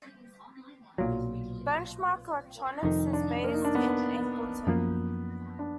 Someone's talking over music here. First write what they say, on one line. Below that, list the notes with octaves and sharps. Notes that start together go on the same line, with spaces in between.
Benchmark Electronics is based in Angleton.
B1 A#2 F#3 F4
F1 F2 D#3 D#4
D4
A#3
D#4
D4
B3
F#2 F3 A#3
D4